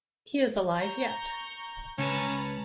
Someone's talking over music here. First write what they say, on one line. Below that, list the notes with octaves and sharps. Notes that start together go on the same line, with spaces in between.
He is alive yet.
A#5 C#6 G6
C#2 C#4 B4 A5 A#5